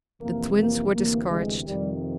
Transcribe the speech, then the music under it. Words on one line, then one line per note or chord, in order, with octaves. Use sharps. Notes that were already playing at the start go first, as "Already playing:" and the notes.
The Twins were discouraged.
F2 C3 E3 A#3
A#3
D2 C3 E3 A#3
G#3
F2 C3 D#3 G3